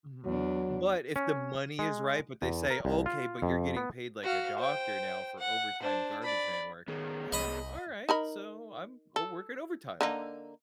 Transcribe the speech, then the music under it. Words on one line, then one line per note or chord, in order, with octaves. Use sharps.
Mhm. But if the money is right, but they say, "Okay, but you're getting paid like a doctor now for overtime garbage man work." "Uh, alright, so, I'm I'm working overtime."
E2 F#3 D4
C#4
G#3
E2
A#4
C2
F4
F2
B3
F#4 F5
C5 G5
F#5
D4 C5
D5 B5
D#3 B3 G#4 C#5
C2 D#5 B5 D#6
D#4 A#4 B5
A4
D3 A#3 D#4